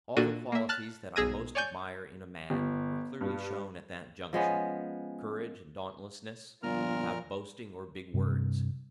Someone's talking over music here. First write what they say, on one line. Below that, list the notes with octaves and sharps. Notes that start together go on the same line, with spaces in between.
All the qualities that I most admire in a man were clearly shown at that juncture: courage and dauntlessness, without boasting or big words.
A#2 D4 F#4 A4 D#7
A#3 E5
A5 F6 F#6 A6
B1 G#4 E6 G#6 A#6 D#7
C#5 D5 G#5 C#6 G6
G1
G2
F3 G#3 B3 C#4
G1 A#2 F3 F4 A#4 F6
G2 C3